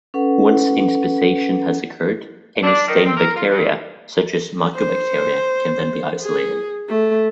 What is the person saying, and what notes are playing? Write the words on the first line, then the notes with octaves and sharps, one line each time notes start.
Once inspissation has occurred., any stained bacteria, such as Mycobacteria, can then be isolated.
C#4 A4 B4 F#5
D4
D#3
C4
A#4
F4
G2
C5
G#4
A3